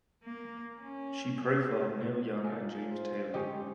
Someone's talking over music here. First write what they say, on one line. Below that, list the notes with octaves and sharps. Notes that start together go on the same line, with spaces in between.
She profiled Neil Young and James Taylor.
A#3
C#4
F4 A4 A#4 G#5
C5
D3 G#3 C#4 D#4 G4 D#5 G5